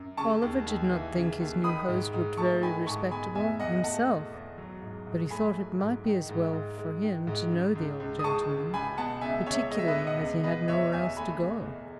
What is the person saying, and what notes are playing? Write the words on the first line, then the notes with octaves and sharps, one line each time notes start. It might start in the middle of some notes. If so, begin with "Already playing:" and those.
Oliver did not think his new host looked very respectable himself, but he thought it might be as well for him to know the old gentleman, particularly as he had nowhere else to go.
Already playing: F#2
C#3 A5 C#6
D#2
D#2
E3
C#3
D#2
D#3 B5 D#6
G#2
G#2
A3 A5 C#6
D#3 G#5 B5
G#2 A5 C#6
B2 G#5 B5
E2 E5 G#5
E2 D#5 F#5
A3 F#5 A5
B2
E2
F#3
G#2
G#2
A3 G#5 B5
F#3
G#2
D#3
G#2
G#2
G#3
D#3
G#2
C#3
C#2
C#2
D#6
G#3 A5 C#6
C#3
C#2 G#5 B5
B2 F#5 A5
C#2 E5 G#5
C#2 C#5 E5
G#3 D#5
E5
B4 D#5
B2
D#5 F#5
C#2
B2 B4 D#5
E2 C#5 E5
E2 E5 G#5
A3 G#5 B5
B2
E2